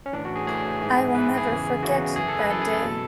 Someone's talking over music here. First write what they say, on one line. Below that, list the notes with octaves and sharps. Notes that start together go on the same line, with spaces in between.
I will never forget that day.
C#4
A2 E3 D4
F#4
G#4
A2 E3 G#4
G#2 E3
G#2 E3 B4
G#4
E2 C#3 E3
E2 C#3 E3 F#4
F#2 E3 G#4
A4
B4
F#2 E3 A4
G#4
A4
B2